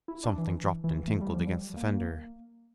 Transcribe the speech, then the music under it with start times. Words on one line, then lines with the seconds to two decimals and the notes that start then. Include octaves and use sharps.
Something dropped and tinkled against the fender.
0.08 E4
0.23 D4
0.38 E3
0.84 E3
1.08 A3
1.21 G3
1.34 F3
1.47 G3
1.77 A#3